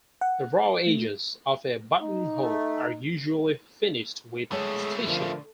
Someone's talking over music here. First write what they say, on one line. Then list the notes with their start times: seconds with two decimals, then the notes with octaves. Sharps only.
The raw edges of a buttonhole are usually finished with stitching.
0.21 F#5
0.87 A3
2.01 D#4
2.41 A3
4.52 G#3 A3 B3 G#4 C#5
5.06 D3 F3 A#4